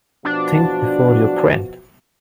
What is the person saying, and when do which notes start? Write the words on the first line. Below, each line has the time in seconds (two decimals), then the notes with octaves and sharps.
Think before you print.
0.25 B2 F3 D4 F#4